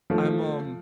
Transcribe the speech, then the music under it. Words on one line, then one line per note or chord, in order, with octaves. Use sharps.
I'm, um
F3 A3